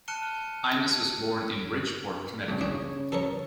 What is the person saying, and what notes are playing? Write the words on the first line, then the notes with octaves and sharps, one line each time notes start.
Eimas was born in Bridgeport, Connecticut.
A5 F6 F#6 C#7 D#7 G7
G2 C#3
C#3 C#4 D4
A4 A#4 C#5